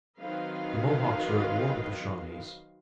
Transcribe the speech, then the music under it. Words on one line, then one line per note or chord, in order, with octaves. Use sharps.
The Mohawks are at war with the Shawnees.
D#3 F#3 C4 B4 D#5 F5